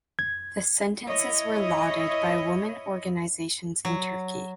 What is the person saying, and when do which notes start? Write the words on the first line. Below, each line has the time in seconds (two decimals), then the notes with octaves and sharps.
The sentences were lauded by women organizations in Turkey.
0.19 G#6
1.05 E4 C#5 D#5
3.85 F#3